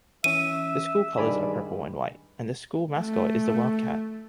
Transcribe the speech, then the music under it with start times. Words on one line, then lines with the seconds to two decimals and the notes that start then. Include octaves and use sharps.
The school colors are purple and white and the school mascot is the Wildcat.
0.24 E3 C#4 E5 D#7
1.18 G2 D#3 G#3 D5 G#5 B5
3.00 A3